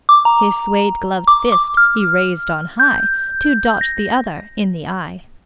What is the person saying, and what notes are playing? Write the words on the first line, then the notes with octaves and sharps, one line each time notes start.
His suede-gloved fist he raised on high to dot the other in the eye.
D6
A#5
D6
D6
F6
G6
A#6